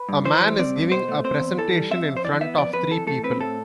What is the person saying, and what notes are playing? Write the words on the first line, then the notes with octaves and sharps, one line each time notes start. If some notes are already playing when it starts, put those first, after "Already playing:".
A man is giving a presentation in front of three people.
Already playing: B4
G2
E3 C5
G3
C4 D5
G2
B2 C5
A3
C4 C5
E2
E3 A4
G3
C4 E5
F2
C5
E3 D5
B3 E5
F2 D5
F2 B4
E3 A4
A3 A4
C4 B4
A2 A4